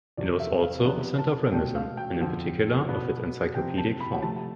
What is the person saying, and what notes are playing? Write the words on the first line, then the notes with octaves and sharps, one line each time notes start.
It was also a centre of Ramism, and in particular of its encyclopedic form.
E2 C3 F3 D5
E5
F5
C3 F3 B3 D4
A5
B2 A3 D4 G5
F5
G5
F2 D3 F3
B2 B3 D4
C3 F3 C4 G5
A5
B5
C3 F3 A3 A5